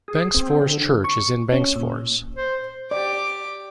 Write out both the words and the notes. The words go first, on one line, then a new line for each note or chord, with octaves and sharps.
Bengtsfors Church is in Bengtsfors.
G#4
C4
D3
C#6
C#4
A#2
C5
G4 D5 D6